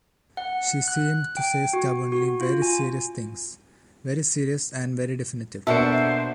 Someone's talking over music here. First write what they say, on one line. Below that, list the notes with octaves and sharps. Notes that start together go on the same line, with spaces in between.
She seemed to say stubbornly very serious things, very serious and very definitive.
F#5
F#6
G5
F#4
F#4
F4
G#5
B2 A#3 D4 A4 C5 E5 F#5 D7